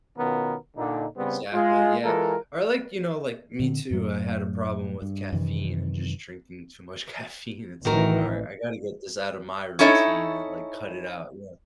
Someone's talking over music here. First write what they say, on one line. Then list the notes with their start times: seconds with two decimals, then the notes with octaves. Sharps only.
Exactly, yeah, or, like, you know, like, me too, I had a problem with caffeine and just drinking too much caffeine, it's like, "All right, I gotta get this out of my routine," and like cut it out, yeah.
0.18 B2 D#3 B3 C#4 F4 A#4
0.77 A#2 D3 D#4
1.17 C#3 G3 B3 C4
1.54 G#3 F4
2.04 E3 G#3 F4 A4 A#4
3.60 A#2 D3 C4
3.91 F#2 A2 F#3 A3
5.02 G2
5.32 F#2 C3 D#3 E3
7.85 A1 D#3 E3 F#4 A#4
9.79 C#4 D#4 E4 A4 C#5